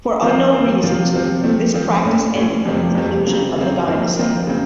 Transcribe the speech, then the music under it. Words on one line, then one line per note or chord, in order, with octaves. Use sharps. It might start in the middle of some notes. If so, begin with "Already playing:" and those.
For unknown reasons, this practice ended with the conclusion of the dynasty.
F3 C4 F4 C5
F3 C4 F4 C5
C3 F3 C4 F4
C3 F3 C4 F4
F3 A3 C4
F3 A3 C4
A2 A3 C#4
A2 A3 C#4
F2 C3 F3 A3 C4
F2 C3 F3 A3 C4
C#3 F#3 C4
C#3 F#3 C4
A#2 F3 C4 F4 A#4
A#2 F3 C4 F4 A#4
C#3 F#3 C4